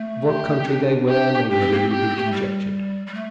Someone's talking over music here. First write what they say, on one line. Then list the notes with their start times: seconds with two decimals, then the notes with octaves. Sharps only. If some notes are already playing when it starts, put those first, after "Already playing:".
Of what country they were may readily be conjectured.
Already playing: A3
0.26 G4
0.67 D4
1.08 G4
1.50 D4 G4
1.60 C4
1.72 A#3
1.82 C4
1.92 G4
2.00 D4
2.09 C4
2.16 A#3
2.24 A3
2.32 G3
3.07 G3
3.14 A3